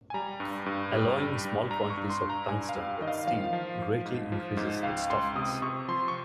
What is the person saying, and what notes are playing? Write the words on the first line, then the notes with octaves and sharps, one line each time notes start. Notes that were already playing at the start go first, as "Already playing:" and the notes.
Alloying small quantities of tungsten with steel greatly increases its toughness.
G#5
G3 A#5
G2
G2
G3
G2
G2
G2 A#5
C#6
G2
C6
G2
A#5
G2 G#5
F5
G3
D#3 D#5
F5
F3 F5
F3
F3
G#2
F3
G#2
C#2 F5
C#2 C6
C3 D#6
C3 C#6
F3 C6
C#6